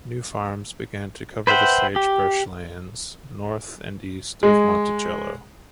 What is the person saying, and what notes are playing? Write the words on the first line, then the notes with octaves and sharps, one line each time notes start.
New farms began to cover the sagebrush lands north and east of Monticello.
B4 C5 E5 F#5 G5
G4
G#3